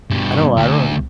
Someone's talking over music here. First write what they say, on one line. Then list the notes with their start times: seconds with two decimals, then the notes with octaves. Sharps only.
I don't I run
0.10 G2 B2
0.57 D2